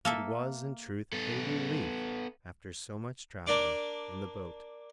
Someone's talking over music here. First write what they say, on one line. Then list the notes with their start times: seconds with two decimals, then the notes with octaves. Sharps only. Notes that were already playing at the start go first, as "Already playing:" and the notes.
It was in truth a relief after so much traveling in the boat.
0.05 A#3 A4 E5
1.13 B3 A4
3.47 A#3 D4 D5 D6